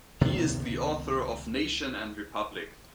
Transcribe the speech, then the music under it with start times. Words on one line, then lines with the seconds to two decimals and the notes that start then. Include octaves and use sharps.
He is the author of "Nation and Republic".
0.21 C#2 C3 D#3 B3